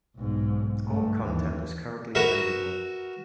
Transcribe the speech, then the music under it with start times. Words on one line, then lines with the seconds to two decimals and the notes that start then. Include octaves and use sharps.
All content is currently available.
0.16 B1 G#2
0.84 G2 A3
1.25 D#2 E3
2.15 F#4 A#4 B4 E5